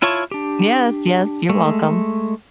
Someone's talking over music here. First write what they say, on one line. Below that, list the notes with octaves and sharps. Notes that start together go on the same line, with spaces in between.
Yes, yes. You're welcome.
E4 F4 C#5 A5 C#6
D4 G4
G#3 A3